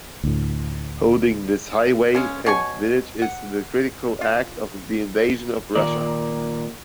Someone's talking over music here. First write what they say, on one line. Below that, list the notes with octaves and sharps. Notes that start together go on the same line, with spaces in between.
Holding this highway and village is the critical act of the invasion of Russia.
D2 A2
C#3 G#3 C#4
B2 C#5 G#5 C#6
F#5
F4
A#2 D#3 A#3 A#4 D5